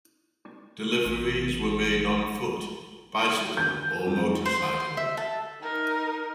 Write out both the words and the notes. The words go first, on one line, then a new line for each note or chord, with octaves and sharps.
Deliveries were made on foot, bicycle, or motorcycle.
A1
G6
F2
C5
C5
E5
A4
D#4 A#4